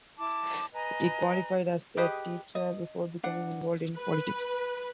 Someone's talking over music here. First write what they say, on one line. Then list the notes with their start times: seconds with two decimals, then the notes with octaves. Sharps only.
He qualified as a teacher before becoming involved in politics.
0.18 E4 A5 D6
0.73 B4 D#5 G#5 A#5
1.97 G4 G#4 B4 D#5
2.55 D#5
3.23 D4 F#5
3.97 B4